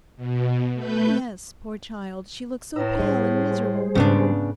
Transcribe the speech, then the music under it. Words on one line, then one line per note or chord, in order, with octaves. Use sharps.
'Oh yes; poor child, she looks so pale and miserable.
B2
A3 B4 G6
A2 B4 A#5 E6
G3 E4 G#4 C5
G#2 C#3 B3 D4